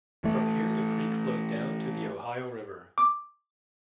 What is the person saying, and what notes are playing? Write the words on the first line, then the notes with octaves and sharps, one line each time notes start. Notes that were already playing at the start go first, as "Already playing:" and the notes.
From here the creek flows down to the Ohio River.
E3 A3
D6